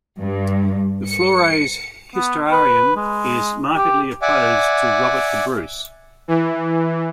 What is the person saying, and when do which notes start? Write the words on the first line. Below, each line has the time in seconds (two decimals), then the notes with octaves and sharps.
The Flores Historiarum is markedly opposed to Robert the Bruce.
0.19 G2
1.07 C#7
2.15 B3
2.52 B4
2.96 G#3
3.76 G4
4.22 D5 E5 F#5 G#5 D6
6.28 E3